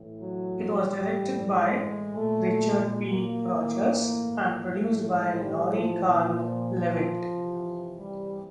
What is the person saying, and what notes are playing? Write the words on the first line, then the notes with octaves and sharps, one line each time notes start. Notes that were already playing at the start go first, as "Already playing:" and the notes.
It was directed by Richard P. Rogers, and produced by Laurie Kahn-Leavitt.
Already playing: A2 E3
F#3
A2 E3 G3
G#3
A#2 A3
A3
G#3
A#3
A2 E3
A2 E3 A3
G#3
G3
F3
A#2 E3
F3
F3
C3 E3
G3